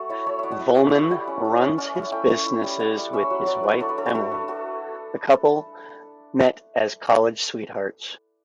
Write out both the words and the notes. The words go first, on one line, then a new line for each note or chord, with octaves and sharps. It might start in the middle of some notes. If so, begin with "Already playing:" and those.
Volman runs his businesses with his wife Emily; the couple met as college sweethearts.
Already playing: A3 F#4 A4
E4 C#5 E5
A3 C#5 E5
E4 D5 E5 F#5
D5 F#5
E4
A3 D5 F#5
E4
G3 D5 F#5
C#4
E4
C#4
C#4 D5 F#5
E4
A3 E5 G5
A3
E4
G3
E4 D5 F#5
G3
C#4 C#5 E5
F#3
F#3 B4 D5
E4
D4 A4 C#5
B4 D5
D4 A4 C#5
G4 B4
A3 F#4 A4
D4
D4 F#4 A4